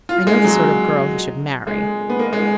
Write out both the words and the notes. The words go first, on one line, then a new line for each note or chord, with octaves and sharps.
I know the sort of girl he should marry.
F4
G#3
F#3
G#3
B3
A#3
G#3